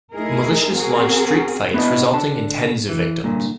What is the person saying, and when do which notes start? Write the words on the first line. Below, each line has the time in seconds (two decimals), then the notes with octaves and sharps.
Militias launched street fights resulting in tens of victims.
0.14 A3 D#4 E4 G#4 A#4
0.73 C4 F#4 G#4 A#4
1.74 B3 D4 E4 A#4 B4 D#5
2.13 D3 A5
2.89 E3
3.24 G2 A#2 D3